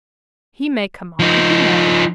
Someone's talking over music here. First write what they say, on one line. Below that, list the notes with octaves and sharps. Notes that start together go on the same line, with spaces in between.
He may come on--he may.
F3 D#4